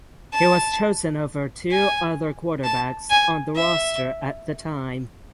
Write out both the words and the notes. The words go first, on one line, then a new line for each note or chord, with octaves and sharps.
He was chosen over two other quarterbacks on the roster at the time.
A5
G#5
A5
G#5
E5